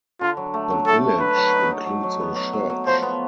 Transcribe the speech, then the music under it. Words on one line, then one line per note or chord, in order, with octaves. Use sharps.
The village includes a church.
D3 F4
F#3
A3
F#3
A3 A4
A3
D3 B4
F#3
D#4
F#3
F#3
F#3
B3
F#3
F#3
F#3
F3 C5
B3